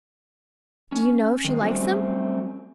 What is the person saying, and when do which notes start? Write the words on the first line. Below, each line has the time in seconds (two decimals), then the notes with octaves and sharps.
"Do you know if she likes them?"
0.92 C#4
1.44 D#3 G#3
1.62 F#3 G3 A3 C4 C#4 F#4